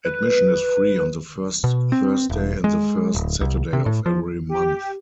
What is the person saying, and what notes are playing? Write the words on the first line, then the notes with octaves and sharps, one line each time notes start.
Admission is free on the first Thursday and the first Saturday of every month.
B4
B2
C4
E1
G#3
D1
C2
C3
A2
F3
G4